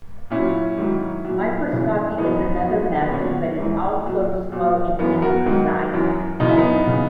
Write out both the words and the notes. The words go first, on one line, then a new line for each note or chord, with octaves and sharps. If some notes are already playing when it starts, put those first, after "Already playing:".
Microscopy is another method but is also slow and imprecise.
A#2 F#3 C#4 E4
G#2 D#3 F#3
A#2 F#3
F#2 C#3 E3
F#2 E3 B3 D#4
A#2 F#3
B3
A#2 F#3 C#4
G#2 E3
A#2 F#3
A#2 F#3
F#2 E3 B3
F#4 A#4
G#2 D#3 F#3
F#2 E3
F#2 C#3 E3 D#4
E4
B3 D#4
C#3 E3